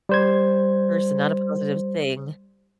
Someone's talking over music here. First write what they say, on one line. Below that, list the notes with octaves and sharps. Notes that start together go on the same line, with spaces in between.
person, not a positive thing.
G3 C5 G#6